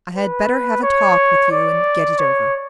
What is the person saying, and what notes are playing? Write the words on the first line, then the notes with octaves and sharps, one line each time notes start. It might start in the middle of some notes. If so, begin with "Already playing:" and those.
"I had better have a talk with you and get it over."
B4
C#5
D5
C#5